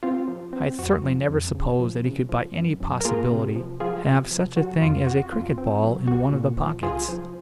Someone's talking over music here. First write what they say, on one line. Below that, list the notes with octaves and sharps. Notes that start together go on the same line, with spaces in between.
I had certainly never supposed that he could by any possibility have such a thing as a cricket-ball in one of the pockets.
C4 F4
F3
C4
F2 F#4
F3
F2
C#3
F3
C#3
F3
F#2
F#2
A#4
A#3 F4 G#4
C3
F3
F3 F4 G#4
C3
F3
F#3 F#4
F2 F4
C3 F#4
F2 F4
C4
F#3
C2 F#4
A#2
F3
C2 F4 G#4
F3